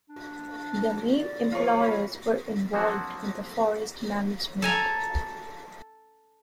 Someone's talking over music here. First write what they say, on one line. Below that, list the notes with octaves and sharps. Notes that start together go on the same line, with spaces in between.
The main employers were involved in the forest management.
D4
D5
F3 F4 C#5
B5
F3 F#3 A#3 C4 D4 F#4
A4 G#5 A#5